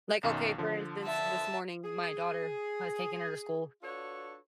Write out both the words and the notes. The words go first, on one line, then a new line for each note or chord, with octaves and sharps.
Like, OK, for instance, this morning, my daughter, I was taking her to school,
B1 F#2 D#3
D3 F3
E5 A5
G#4
D4 F4 F#4 A4 B4 C#5